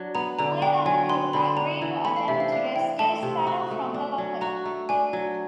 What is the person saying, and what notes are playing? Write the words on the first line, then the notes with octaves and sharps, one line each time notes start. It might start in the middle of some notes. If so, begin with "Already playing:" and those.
Will and the crew agree to attempt to rescue Sparrow from the Locker.
Already playing: F#3 D4
B3 A#5
D3 A#5
D4 G5
F#3 G#5
B3 C6
D3 B5
D4 A#5
E3
A3 B5
F5
C3 E5
F5
D4 F5
E3 G5
A3 A5
C3
F#4
A3
D4
F#3
F#4 A#5
A3
D4 G#5
F#3